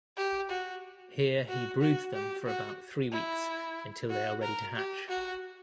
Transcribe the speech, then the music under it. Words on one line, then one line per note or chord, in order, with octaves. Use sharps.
Here he broods them for about three weeks until they are ready to hatch.
G4
F#4
F#4
F#4
G4
F#4
E4
F#4
A#4
G4
F#4